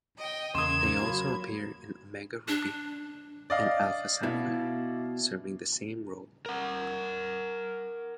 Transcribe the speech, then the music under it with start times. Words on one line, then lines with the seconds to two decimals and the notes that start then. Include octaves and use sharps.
They also appear in "Omega Ruby" and "Alpha Sapphire", serving the same role.
0.17 D#5 G5
0.55 E2 C#3 A#3 C6 D#6 G#6 E7
1.02 F#3 B5
2.48 D4
3.50 D5 D#5 F5
4.23 B2 E4
6.46 A#4 F#5